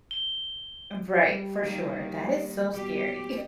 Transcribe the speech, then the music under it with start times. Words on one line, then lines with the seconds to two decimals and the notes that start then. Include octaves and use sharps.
Um, v right, for sure, that is so scary.
0.11 G7
1.27 G3
1.61 D#3 A#3
2.72 B2 G4